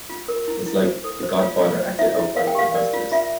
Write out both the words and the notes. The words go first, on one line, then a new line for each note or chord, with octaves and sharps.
It's like "The Godfather" acted out by "The Munsters".
F4
A#4
E4
E4
C5
A4
C5
F4
F4
C5
E4 E5
E4
A#4 F5
G5
G4 F5
A#4 D5
F4
F4 E5